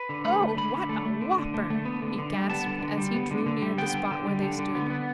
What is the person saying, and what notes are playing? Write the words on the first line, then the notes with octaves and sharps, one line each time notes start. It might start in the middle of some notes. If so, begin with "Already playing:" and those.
"Oh! what a whopper!" he gasped, as he drew near the spot where they stood.
Already playing: B4
D3
A3 B5
A3
D3 B5
D3
A3
A3
D3
D3
A3
A3
B3
D3
D3
G3
B3 A5
D3
D3
G3
B3
D3
D3
G3
B3 G5
D3
D3
G3
D3
D3
B3
B3